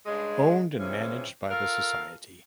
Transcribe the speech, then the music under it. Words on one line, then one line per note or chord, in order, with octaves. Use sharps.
Owned and managed by the society.
G2 C#3 G#3
C3 E3 F3 G#3 C#4
F4 A4 A#4 F5